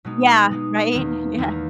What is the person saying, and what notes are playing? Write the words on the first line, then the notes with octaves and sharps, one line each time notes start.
Yeah. Right, yeah
B2 G#3 D#4
B2 G#3 D#4
E2 D#3 A#3
E2 D#3 A#3